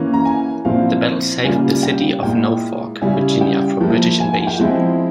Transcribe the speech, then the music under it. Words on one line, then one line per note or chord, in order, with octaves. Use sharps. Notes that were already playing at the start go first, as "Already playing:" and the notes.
The battle saved the city of Norfolk, Virginia, from British invasion.
Already playing: E3 A#3 C#4
A#5
G#5
A#2 F3 C4 E4 F5
C#3 G3 A#3 F4 G#5
G5
A#2 G#3 E4 G5
C#3 G3 C#4 E4 G#5
G5
F3 A#3 E4
G#5
G#5
G5
F3 G#3 C4 E4